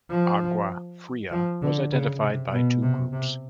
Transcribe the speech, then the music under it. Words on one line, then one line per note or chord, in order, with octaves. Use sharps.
Agua Fria was identified by two groups.
F3
F3
D3
C#3
C3
B2
C3
C3